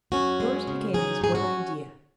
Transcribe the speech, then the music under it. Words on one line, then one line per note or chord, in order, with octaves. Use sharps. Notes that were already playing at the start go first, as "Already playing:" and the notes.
Doris became his one idea.
F#2 C#4 F#4
G#3
C#3
F#3 D#4 G#4
G#2 G#4
C#4 F#4